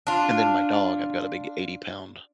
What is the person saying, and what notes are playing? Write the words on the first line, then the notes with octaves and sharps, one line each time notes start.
and then my dog I've got a big eighty-pound
D4 F4